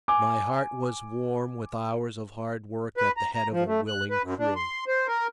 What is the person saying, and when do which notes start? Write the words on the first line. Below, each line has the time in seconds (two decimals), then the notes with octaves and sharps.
My heart was warm with hours of hard work at the head of a willing crew.
0.08 G#5 D6
2.97 B4
3.17 A#5
3.35 A#5
3.52 F3
3.67 A3
3.88 F#6
4.10 B4
4.24 F#2
4.40 D4
4.56 C6
4.87 C5
5.08 A#4